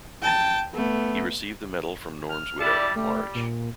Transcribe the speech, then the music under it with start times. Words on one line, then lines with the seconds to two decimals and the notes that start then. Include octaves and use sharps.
He received the medal from Norm's widow, Marj.
0.22 G5 A5
0.74 A3 B3
2.29 F6
2.60 G3 E4 D5 A5
2.95 G3 A3
3.35 A#2